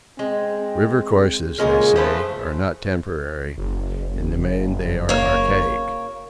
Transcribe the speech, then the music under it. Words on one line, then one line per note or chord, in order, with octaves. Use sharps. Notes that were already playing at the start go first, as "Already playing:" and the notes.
River courses, they say, are not temporary--in the main they are archaic.
G#3 C4
A#2 C#3 G#3 A#4
F3 A3 B4 C5
F#1
A#3 C#5